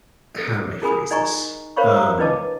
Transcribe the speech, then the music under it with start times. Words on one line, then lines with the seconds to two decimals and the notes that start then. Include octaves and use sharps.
How do I phrase this? Um,
0.38 A4
0.82 E4 G#4 A#4 G#5 B5 D#6
1.11 D#4 D#5 G#5 A#5 C#6
1.76 A#4 C5 C#5 F5 B5 C#6
1.92 C5 F5 A#5
2.18 D4 E4 B4 D#5 A5 D6